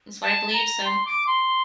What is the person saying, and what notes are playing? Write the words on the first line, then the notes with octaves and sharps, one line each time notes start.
It's what I believe. So
A5
A#5
C6
D6
C6